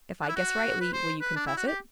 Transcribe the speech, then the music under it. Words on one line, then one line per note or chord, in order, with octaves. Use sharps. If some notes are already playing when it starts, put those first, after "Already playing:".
"If I guess rightly, will you confess it?"
D4
E4
F#4
B4
C5
B4
D4
E4
F#4
G4